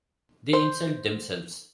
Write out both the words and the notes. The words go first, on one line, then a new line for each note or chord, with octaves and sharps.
They insult themselves.
C5